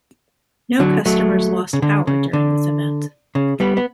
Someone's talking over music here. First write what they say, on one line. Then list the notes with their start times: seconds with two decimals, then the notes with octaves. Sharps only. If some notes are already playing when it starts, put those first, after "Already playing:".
No customers lost power during this event.
0.80 D3 F#3
1.06 F#3 A3
1.73 C#3
1.82 D3
2.07 C#3
2.33 D3
3.35 C#3
3.60 G3 B3
3.77 B3